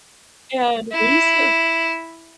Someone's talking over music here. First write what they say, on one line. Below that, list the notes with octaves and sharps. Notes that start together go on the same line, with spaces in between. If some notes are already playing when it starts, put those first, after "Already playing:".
And recent
E4